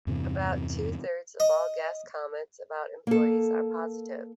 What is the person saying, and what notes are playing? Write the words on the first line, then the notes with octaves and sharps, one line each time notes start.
About two thirds of all guest comments about employees are positive.
E2 G2 C3 E3
D#5
A#3 A4